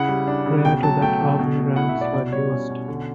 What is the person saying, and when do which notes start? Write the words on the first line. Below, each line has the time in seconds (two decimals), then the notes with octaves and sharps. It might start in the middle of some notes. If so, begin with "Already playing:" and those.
Prior to that Army ranks were used.
Already playing: C#3 E4 F#5
0.09 G3
0.28 D4
0.46 C#3
0.65 B2 G5
0.83 F#3 A5
1.02 A3 G5
1.20 B2
1.39 B2
1.58 A3
1.76 E4 F#5
1.89 E5
1.95 B2
2.01 D5
2.14 B2 D5
2.32 G3 C#5
2.51 C#4
2.70 B2
2.88 D3